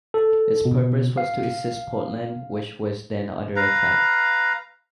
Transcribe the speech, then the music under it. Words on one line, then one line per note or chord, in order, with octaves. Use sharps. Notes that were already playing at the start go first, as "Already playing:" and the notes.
Its purpose was to assist Poland, which was then under attack.
A4
B2
F5
B4 F5 A#5